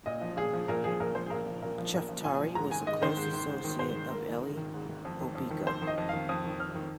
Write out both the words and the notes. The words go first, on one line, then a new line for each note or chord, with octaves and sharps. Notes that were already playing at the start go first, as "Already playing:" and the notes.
Chaftari was a close associate of Elie Hobeika.
A#2 D#5
F3
A#2 G#4
F3
A#2 A#4
F3 G#4
A#2 A#4
F3 C5
G#4
A#2 A#4
F3
A#2 A#4
F3
A#2 A#4
F3
A#2 G#5
F3
G#2 A#5
D#3 G#5
G#2 D#5
D#3 C5
G#2
D#3
G#2
D#3
G#2 C5
D#3
G#2 A#4
D#3
G#2
D#3
G#2
D#3
F2
D#3
F2
D#3
F2 C5
D#3
D#5
F2
D#3 F5
F2 D#6
D#3
F2 F6
D#3